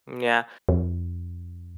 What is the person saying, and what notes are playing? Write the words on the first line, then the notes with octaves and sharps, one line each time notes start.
M yeah,
F2